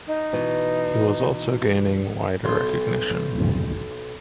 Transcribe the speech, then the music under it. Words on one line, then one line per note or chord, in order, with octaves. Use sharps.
He was also gaining wider recognition.
D#4
B2 E3
B1 C6